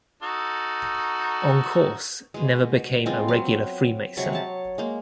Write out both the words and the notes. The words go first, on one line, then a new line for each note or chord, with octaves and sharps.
Encausse never became a regular Freemason.
D#4 F#4 A4
B2 G#3
G#3 B3 C4 F4
F#3 F5
C3 F#3 G#3 C#6
C#5 A5
G#3 A#3